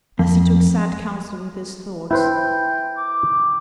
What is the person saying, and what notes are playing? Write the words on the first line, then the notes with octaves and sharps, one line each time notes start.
Thus he took sad council with his thoughts.
F2
E4 B4 C5 G5
D6